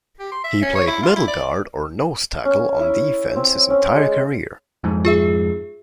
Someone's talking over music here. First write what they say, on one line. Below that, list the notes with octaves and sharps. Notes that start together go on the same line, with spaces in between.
He played middle guard or nose tackle on defense his entire career.
G4
C6
E5
C#4
C#5
E4
F4
E4
D5
C#4
E4
C4
C#4
G#3
F2 G#2
F4 G#4 E5